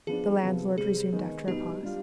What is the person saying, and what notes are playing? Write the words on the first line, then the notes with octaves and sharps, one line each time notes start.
The landlord resumed after a pause.
F3 B3 D4 G#4
C3 F3 B3
C3 G3 C4 G#4
D#3 G#3 B3 D#4
B2 G3 B3 D#4 G4
G3 D4 F4